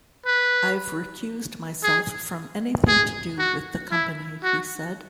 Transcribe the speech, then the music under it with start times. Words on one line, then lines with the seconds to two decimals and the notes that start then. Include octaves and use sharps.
"I've recused myself from anything to do with the company," he said.
0.26 B4
1.83 G#4
2.88 G#4
3.39 F#4
3.92 E4
4.44 F#4